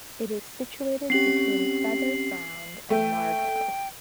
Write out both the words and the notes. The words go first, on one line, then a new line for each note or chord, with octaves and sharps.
It is situated between Feather Sound and Largo.
C4 C#4 G4 C7 F#7
A3 G5